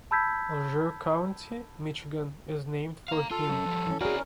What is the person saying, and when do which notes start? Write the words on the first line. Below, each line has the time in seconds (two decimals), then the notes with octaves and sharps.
Alger County, Michigan, is named for him.
0.11 A5 B5 E6 G6 G#6 B6
3.08 F5 A#5
3.31 F4 A4
3.49 F#3 C#4
3.66 F3 G3
3.87 E3 C#4
4.01 C#4 E4 F#4 G#4 A#4 D5